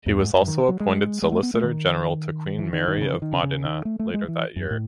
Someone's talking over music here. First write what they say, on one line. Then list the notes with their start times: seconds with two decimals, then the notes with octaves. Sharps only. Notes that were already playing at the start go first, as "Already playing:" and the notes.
He was also appointed solicitor general to Queen Mary of Modena later that year.
0.06 E2
0.20 G#2
0.34 F#2
0.48 D#3
0.69 F#3
0.80 G#3
1.22 G#3
1.32 A3
1.43 B3
1.54 A3
1.64 D#3
2.59 E3
2.73 D#3
2.88 D#3
2.97 B2
3.01 C#3
3.13 E3
3.22 D#3
3.33 C#3
3.43 C#3
3.65 D#3
3.85 A3
3.99 A3
4.14 G#3
4.28 E3
4.56 F#2
4.71 A2